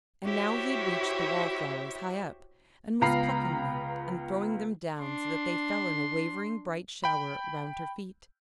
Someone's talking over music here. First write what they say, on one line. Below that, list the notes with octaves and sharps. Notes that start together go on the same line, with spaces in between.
And now he had reached the wallflowers high up, and was plucking them and throwing them down so that they fell in a wavering bright shower round her feet.
E4 F#4 G4 C5 C#5 E5
C#2 B3 F4 A#5 B5 C7
D4 C6
G5 B5